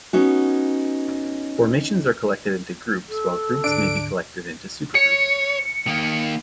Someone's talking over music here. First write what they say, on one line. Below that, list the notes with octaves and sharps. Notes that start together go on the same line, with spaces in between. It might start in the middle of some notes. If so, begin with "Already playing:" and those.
Formations are collected into "groups" while groups may be collected into "supergroups".
B3 C#4 D#4 F#4
A4
D2 G#2 D3 D4 D7
C#5 C#7
D#3 A#3